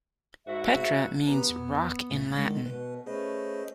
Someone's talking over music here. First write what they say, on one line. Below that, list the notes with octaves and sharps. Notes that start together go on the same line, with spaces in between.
"Petra" means "rock" in Latin.
G#2 A#3 E4 F#4 E5
B3 G4 B4 A#5
F2
C2 A#2 A3
D3 D#3 G#3
B2 B4
A3 C#4 G#4 B4 C5 D#5